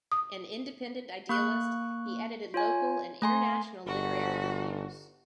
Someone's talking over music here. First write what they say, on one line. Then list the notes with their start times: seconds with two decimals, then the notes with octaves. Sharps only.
An independent idealist, he edited local and international literary reviews.
0.12 D#6
1.29 A#3 C#6 F#6
2.54 F4 C#5 G#5
3.22 A3 G#5 C6
3.87 G1 F#4